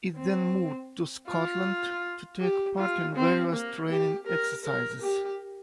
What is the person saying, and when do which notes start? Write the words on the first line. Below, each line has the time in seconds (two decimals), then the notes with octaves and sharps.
It then moved to Scotland to take part in various training exercises.
0.17 C4
1.28 F4
2.41 G4
2.78 F4
3.16 C4
3.53 A#3
3.90 G4
4.27 A#4
4.65 A#4
5.02 G4